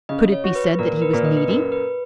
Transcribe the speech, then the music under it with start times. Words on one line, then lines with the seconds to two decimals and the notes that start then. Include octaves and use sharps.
Could it be said that he was needy?
0.09 C#3 D#5
0.32 C#5
0.44 F#4
0.55 B4
0.79 A#2 A#4
0.97 A#4
1.02 B4
1.13 A#2
1.25 D#5
1.37 B4
1.48 F#2 A#4
1.72 B4